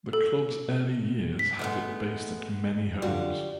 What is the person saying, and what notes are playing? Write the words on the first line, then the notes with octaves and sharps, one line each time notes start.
The club's early years had it based at many homes.
A4
B6
G#3 A3 B3
D3 G3 F4 F#4